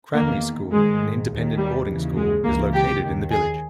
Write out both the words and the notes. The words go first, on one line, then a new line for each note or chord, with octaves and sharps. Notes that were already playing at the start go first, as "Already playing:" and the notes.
Cranleigh School, an independent boarding school, is located in the village.
E2 D#3 A#3
G#2 D#3 G#3
D#2 D#3
G3
D#2 C#3 E3
G#3
C#2 C#3 E3 A#3
G4
D#2 D#3
G#4